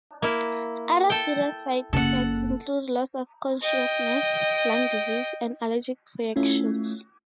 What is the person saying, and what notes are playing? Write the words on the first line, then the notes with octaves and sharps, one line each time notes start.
Other serious side effects include loss of consciousness, lung disease, and allergic reactions.
A#3 E4
A4 G5
F#1 C#3 A4 F#5
D#5 G5
A3 C#4 E4 F4